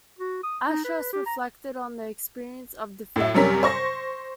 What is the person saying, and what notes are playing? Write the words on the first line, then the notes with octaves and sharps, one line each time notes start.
Ashurst reflected on the experience of defeat.
F#4
D#6
D#4
B4
G4
A#5
A2 E5
F#2 C3 G3 C#4 A#4 B6
C5 C#6 A#6